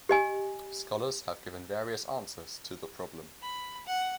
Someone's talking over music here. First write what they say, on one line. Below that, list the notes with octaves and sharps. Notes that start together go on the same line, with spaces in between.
Scholars have given various answers to the problem.
G4 D#5 G#5
B5
F#5